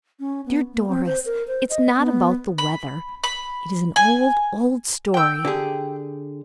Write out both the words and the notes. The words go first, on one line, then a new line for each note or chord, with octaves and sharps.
"Dear Doris, it is not about the weather; it is an old, old story."
C#4
B3
A#3
C4
C5
A#4
C5
D#5
B3
B5
B5
G#5
G5 E6
D3 G4 G#4